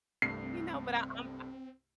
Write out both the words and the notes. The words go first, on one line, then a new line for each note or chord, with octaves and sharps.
You know, but I I'm
C2 G2 A3 C4 C7